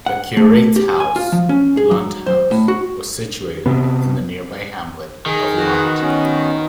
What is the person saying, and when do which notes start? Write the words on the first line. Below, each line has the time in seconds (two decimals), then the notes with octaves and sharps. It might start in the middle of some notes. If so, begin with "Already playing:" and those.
The curate's house, Lunt House, was situated in the nearby hamlet of Lunt.
0.06 F#5
0.37 A3
0.76 G4
1.00 G#5
1.16 F4
1.32 F3
1.49 C#4
1.77 G#4
1.91 F#3
2.26 C5
2.51 A2
2.68 F#4
3.66 C3 B3
5.26 D#3 G#4
5.57 B2 F#4
6.01 B3 C#4